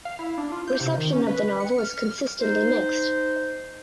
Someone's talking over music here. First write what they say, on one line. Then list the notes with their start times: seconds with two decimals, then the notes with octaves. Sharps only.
Reception of the novel is consistently mixed.
0.05 F5
0.19 E4
0.38 D4
0.52 F4
0.68 G6
0.80 C3
0.97 D#3
1.12 C#4
1.27 B4
1.60 C#7
1.78 F6
1.97 F6
2.40 D#4 C5